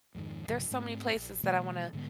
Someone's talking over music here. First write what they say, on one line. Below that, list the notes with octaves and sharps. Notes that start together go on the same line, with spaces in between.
there's so many places that I wanna
F2 G#2 D#3
B1 G#2 C#3 F#3
G#2 A3 C4
A#1
B2 E3 G#3 A#3
G#2 D3 G#3 B3